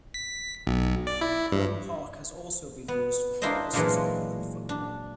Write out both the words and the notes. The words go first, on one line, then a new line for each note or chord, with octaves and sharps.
Home Park has also been used for purposes other than football.
B6
B1
D5
E4
G2
B3
D4 E4 F4 A#4 C5 D#5
A#2 E3 F#3 G#3 D4 F4
D4